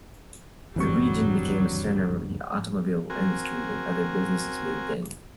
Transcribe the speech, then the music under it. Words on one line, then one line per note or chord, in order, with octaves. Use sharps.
The region became a centre of the automobile industry, and other businesses moved in.
F#1 D2 G2 E3 F#3 G3 C4 C#6
C4 F#4 A#4 G#5